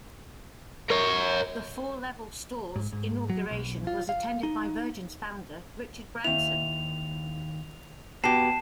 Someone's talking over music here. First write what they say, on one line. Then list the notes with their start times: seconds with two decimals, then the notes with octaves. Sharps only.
The four level store's inauguration was attended by Virgin's founder Richard Branson.
0.91 A#4 C#5
2.76 G#2
2.93 G#2
3.30 F#3
3.51 B1
3.87 F4
4.09 F5
4.43 D#4
6.24 D#2 E4 F7
8.24 B3 F#4 G4 A5 C7 E7